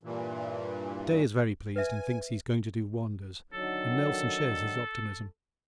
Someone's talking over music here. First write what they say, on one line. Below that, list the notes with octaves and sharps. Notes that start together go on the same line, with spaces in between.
Day is very pleased and thinks he's going to do wonders, and Nelson shares his optimism.
G2 A#2 E3
B4 E5 G#5
D3 D#3 F#3 A4